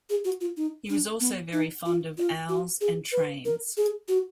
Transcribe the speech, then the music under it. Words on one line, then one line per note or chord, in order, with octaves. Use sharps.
He was also very fond of owls and trains.
G#4
F#4
F4
D#4
D4
B3
D#4
F4
F4
F#4
G#4
B4
A#4
G#4
F#4